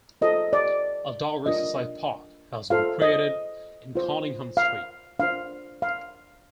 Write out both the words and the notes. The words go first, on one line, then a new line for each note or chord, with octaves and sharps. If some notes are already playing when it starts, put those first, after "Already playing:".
A dog exercise park has been created in Conyngham Street.
F4 A4 C5 D#5
D5
D4 F4 A#4 D#5
F4 A4 C5 F5
D#5
F4 C5
F5
D4 F4 C5 F5
F5